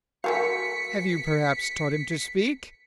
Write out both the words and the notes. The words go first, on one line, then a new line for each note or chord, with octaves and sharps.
"Have you perhaps taught him to speak?"
F#3 A3 F#4 A#4 F5 G#5 B6 C#7